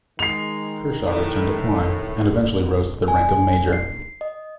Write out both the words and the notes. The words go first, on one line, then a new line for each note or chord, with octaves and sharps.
Kershaw returned to flying, and eventually rose to the rank of Major.
D#3 G#3 C7 F7
A2 E3 A3
G#5
C7
D#5